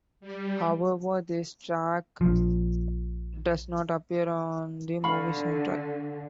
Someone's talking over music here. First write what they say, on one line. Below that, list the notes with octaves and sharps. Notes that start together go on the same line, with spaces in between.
However, this track does not appear on the movie's soundtrack.
G3
A#1 F3
D3 F5 B5 C#6